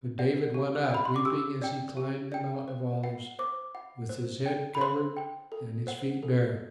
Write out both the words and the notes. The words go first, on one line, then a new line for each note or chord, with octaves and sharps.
But David went up, weeping as he climbed the Mount of Olives with his head covered and his feet bare.
D5 F#5
G4
D5 F#5 B5
C6
D6
G4 E6
D5 G5
G4
D5 G5
C5
F#5
C5 D6
F#5
C5
G5
B5
C5 C6
G5
A4
C5 F#5
A4